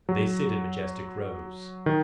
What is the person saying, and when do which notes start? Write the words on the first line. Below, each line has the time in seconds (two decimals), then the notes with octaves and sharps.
They sit in majestic rows.
0.09 F#3
1.86 D#3